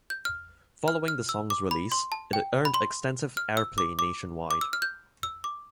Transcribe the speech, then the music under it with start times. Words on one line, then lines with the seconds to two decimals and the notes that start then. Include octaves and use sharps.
Following the song's release, it earned extensive airplay nationwide.
0.10 G6
0.25 F6
0.88 F6
1.08 F6
1.29 E6
1.50 D6
1.71 B5
1.92 C6
2.12 A5
2.33 G5
2.65 B5
2.74 C6
3.37 F6
3.57 E6
3.78 D6
3.99 D6
4.51 D6
4.61 E6
4.73 F6
4.82 G6
5.23 E6
5.44 D6